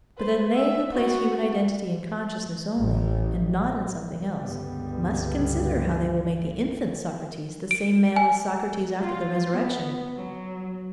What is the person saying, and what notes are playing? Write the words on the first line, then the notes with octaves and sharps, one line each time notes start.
But then they who place human identity in consciousness only, and not in something else, must consider how they will make the infant Socrates the same man with Socrates after the resurrection.
B4 C5
E5
B3 F#4
A1
C#2 G2 D3 G3 B3
D7
G#5
F4
B3
F#3